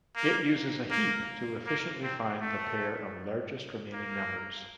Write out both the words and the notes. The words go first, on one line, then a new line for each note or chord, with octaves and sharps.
It uses a heap to efficiently find the pair of largest remaining numbers.
A#3
A#3
A#3
C4
A3
A#3